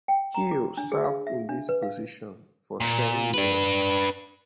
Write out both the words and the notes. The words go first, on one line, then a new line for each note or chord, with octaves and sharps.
Keel served in this position for ten years.
G5
A#5
D6
D4
G#4
F5
E5
D4
B4
F5
A#2
D4 B4